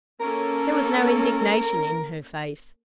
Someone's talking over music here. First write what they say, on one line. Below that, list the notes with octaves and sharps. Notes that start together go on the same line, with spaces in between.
There was no indignation in her face.
A#3 C#4 A4 A#4